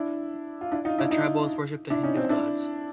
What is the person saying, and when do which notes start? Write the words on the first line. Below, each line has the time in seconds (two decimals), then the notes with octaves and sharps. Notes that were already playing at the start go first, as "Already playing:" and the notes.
The tribals worship the Hindu gods.
Already playing: D4 E4
0.61 F4
0.72 D4 E4
0.85 D#4 F4
0.98 D4 E4
1.11 D#4 F4
1.90 D4 E4
2.03 C#4 D#4
2.17 C4 D4
2.30 D4 E4